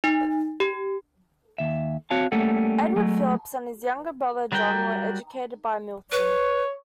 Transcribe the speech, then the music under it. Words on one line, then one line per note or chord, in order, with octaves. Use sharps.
Edward Phillips and his younger brother, John, were educated by Milton.
D#4
G4
D#2 E5
C4 F#4 C#5 F5 A5
G3 A3 A#3 C#4 A4 F#5
F#3 G#3 A3
F#3 G3 F#4 A#4 G5
B4 C#5